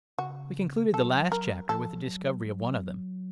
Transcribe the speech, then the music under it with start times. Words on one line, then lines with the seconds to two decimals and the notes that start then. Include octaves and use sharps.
We concluded the last chapter with the discovery of one of them.
0.18 C#3 F#4
0.93 F#3 A4
1.32 A#4
1.69 F3 A4
2.07 F#3
2.45 F#3